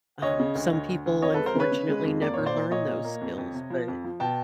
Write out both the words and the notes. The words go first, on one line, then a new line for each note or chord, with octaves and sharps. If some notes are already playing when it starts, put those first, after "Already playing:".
um, some people, unfortunately, never learn those skills, but,
D2 C#5 D#5
C#3
D2
D2
D2
D2
F2 C#5 D#5
A4 B4
G#3
A#4 C5
C#3 B4 C#5
C#3
G#3
F2
A#3 D5
A#2 C#5
C5 D5
A#2
A#2 C#5 D#5
A#2
A#3
F2
F2
C3
F3
F2
F3
B2 G5 A5